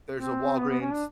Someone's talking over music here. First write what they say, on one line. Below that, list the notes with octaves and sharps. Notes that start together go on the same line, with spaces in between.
there's a Walgreens
C4
B3
B3
C#4
D4